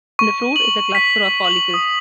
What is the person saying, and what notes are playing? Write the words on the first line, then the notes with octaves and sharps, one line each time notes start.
The fruit is a cluster of follicles.
C#6
F#7
B6
F#7
D#6